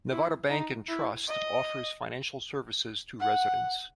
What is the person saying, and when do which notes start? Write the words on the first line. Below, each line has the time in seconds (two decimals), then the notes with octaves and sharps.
Nevada Bank and Trust offers financial services to residents.
0.11 E4
0.50 D#4
0.88 E4
1.27 D#5
3.20 F#5